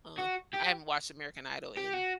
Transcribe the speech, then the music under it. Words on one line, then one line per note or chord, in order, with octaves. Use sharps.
Uh, I haven't watched American Idol in,
F#4
G4
G4
F#4